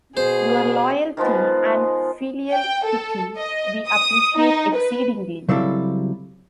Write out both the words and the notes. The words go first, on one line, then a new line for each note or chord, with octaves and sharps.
Your loyalty and filial piety we appreciate exceedingly.
B2 G#4 C5
D#3 F3 G#3 B3
G5
A4
D#5
D#6
D#4
B4
C#3 F#3 G3 C4 E4 A4